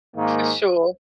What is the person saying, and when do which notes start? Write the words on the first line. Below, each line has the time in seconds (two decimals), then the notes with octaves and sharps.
For sure.
0.15 G#2 D#3 A#3